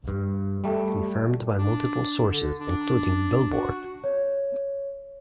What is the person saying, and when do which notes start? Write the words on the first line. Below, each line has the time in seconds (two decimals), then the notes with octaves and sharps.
Confirmed by multiple sources including "Billboard".
0.08 G2
0.64 G3 A3
1.59 D4
2.29 D3
2.60 D4
3.52 F#4
4.04 C#5